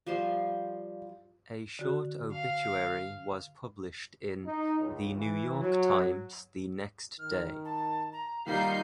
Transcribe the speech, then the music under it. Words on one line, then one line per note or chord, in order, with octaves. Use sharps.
A short obituary was published in "The New York Times" the next day.
F3 G3 C5 C6
D3 F#4
F5
D#4
C#2
E3
F#3
D#3 F6
A5
A#5
D#3 G3 A#3 D#4 F4 F#5 G6 C7